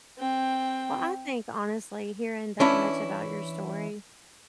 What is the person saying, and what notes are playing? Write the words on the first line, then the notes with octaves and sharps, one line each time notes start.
Well, I think, honestly, hearing that much about your story,
C4 G5
E3 C#4 D4 E4